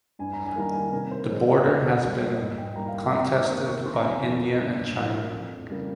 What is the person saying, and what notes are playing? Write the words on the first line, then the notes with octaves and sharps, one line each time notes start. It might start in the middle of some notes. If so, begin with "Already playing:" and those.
The border has been contested by India and China.
G2 G#5
A#5
G#5
D#3 G3 A#3 A#5
G#5
C3 A#4
C5
F3 G#3 C#5
D#5
C#5
A#2 D#5
G3 A#3
G#2
G5
G3 A#3 A#5
F5
G5
C3 A#5
C#6
D#3 A#3 D#6
C#6
C3 C6
A#5
G#5
A#5
F3 A#3
G2
F3 A#3
F2
C#3 G3 A#3